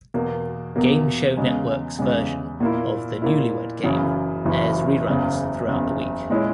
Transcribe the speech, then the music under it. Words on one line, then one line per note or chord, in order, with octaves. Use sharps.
Game Show Network's version of "The Newlywed Game" airs reruns throughout the week.
E2 B2 A#3
E2 B2 A#3
E2 C#3 G#3
E2 C#3 G#3
A#2 A#3 E4
A#2 A#3 E4
F#1 F#2 C#3 E3
F#1 F#2 C#3 E3
F#1 E2 C#3
F#1 E2 C#3
A#2 G#3 C#4 E4